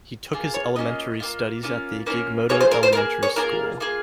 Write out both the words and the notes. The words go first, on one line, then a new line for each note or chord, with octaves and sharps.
He took his elementary studies at the Gigmoto Elementary School.
A#3 F4 G#4
C#5
A#3 C#4 F4 D#5
A#3 C#4 F4
A#3 C#4 F4
A#3 C#4 F4
A#3 F4 G#4 C#5
C5
A#4
C5
A#3 F4 G#4 A#4
C#5
A#3 F4 G#4 A#4
A#3 F4 G#4